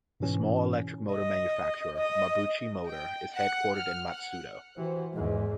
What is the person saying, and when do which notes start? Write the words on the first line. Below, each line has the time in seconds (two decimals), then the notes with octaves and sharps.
The small electric motor manufacturer, Mabuchi Motor is headquartered in Matsudo.
0.20 G#2 B2 E3 C#4
1.12 D#5
1.97 D#5
2.89 G5
3.33 F#5
3.75 F6
4.10 F#5
4.77 E3 F#4 G4 C5
5.13 E2 G#2 G#3